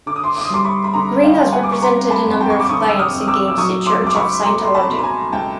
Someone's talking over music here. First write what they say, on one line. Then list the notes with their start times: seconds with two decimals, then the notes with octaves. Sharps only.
Greene has represented a number of clients against the Church of Scientology.
0.06 D3 D6
0.16 D#6
0.24 C6 D6
0.36 D6
0.45 D#6
0.50 G3 C6 D6
0.65 B5 C#6
0.84 B5
0.94 D3 A#5 C6
1.23 F5 G5
1.39 G3
1.53 F#5 G#5
1.63 D6
1.72 C#6
1.82 C4 A#5 C6
2.11 A5 B5
2.26 F2
2.41 G5 A5
2.50 C#6
2.60 D6
2.69 D3 C#6 D#6
2.89 E6
2.99 D#6 F6
3.13 F2
3.28 D6 E6
3.48 E6
3.57 F#3 C#6 D#6
3.86 C6 D6
4.02 C#2 D6
4.15 B5 C#6
4.45 A3 A#5 C6
4.65 C6
4.74 A5 B5
4.89 B2
4.99 B5
5.03 G#5 A#5
5.32 C#2 G5 A5